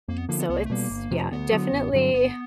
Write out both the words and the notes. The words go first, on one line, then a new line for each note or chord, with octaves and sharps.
so it's yeah, definitely
F2 A#3
B3
D3 F3 A#3
B3
C2 B3
A#3
A3
B2 G3 A#3
G1
F2 C3 F3
D2 B3
D3 F#3
A1
G2 D3 F#3
G1 B3